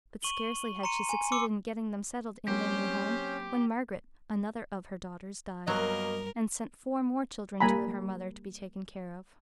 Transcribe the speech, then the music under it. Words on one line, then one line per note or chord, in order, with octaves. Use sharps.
But scarcely had she succeeded in getting them settled in their new home when Margaret, another of her daughters, died, and sent four more children to her mother to be taken care of.
C#6 D#7 F#7 G7
A#5 C6 C#7 D#7
G#5
C6 D6 E6 C#7
F#3 A#3 C4 C#4 G4 C5
G2 B2 F#3 A#3 A#4 D#5
G3 A#3 G#5 A#5 B5